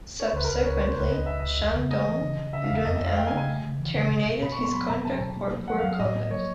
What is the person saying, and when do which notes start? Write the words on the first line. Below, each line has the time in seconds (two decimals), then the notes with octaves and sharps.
Subsequently, Shandong Luneng terminated his contract for poor conduct.
0.20 C#5
0.27 C5
0.33 C#2 B4
0.44 A#4
0.50 C#2 B4
0.65 C#2 C#5
0.81 C#3 C5
0.96 C#2 B4
1.12 C#2 D#5
1.26 C#2 E5
1.40 C#2 D#5
1.59 E2
1.75 C#3
1.91 A3 D#5
2.07 E3
2.22 C#3
2.38 C#3
2.53 C#3 E5
2.64 F5
2.70 E2 E5
2.85 F2 D#5
2.96 F2 E5
3.06 F5
3.17 A3 G5
3.27 G#5
3.32 C#3
3.37 G#5
3.48 A3
3.63 C#3
3.80 E3
3.95 C#3
4.10 B2
4.27 B2
4.42 B2 B5
4.52 C#6
4.59 B3 C6
4.73 F#3 B5
4.89 B2 A#5
5.05 F#3 A5
5.21 B2
5.37 A#3
5.53 F#3
5.68 F#3 F#5
5.78 F5
5.83 F#3
5.89 F5
5.99 A2 D#5
6.15 A#3
6.31 F#3 C#5